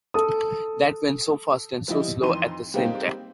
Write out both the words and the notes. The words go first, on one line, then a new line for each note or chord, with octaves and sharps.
That went so fast and so slow at the same time.
A4 D#6
F3 G3 E4 D#5
F2 E3 D#4 C6 D#7
G3 G#3 A#3 C4 D#4 G4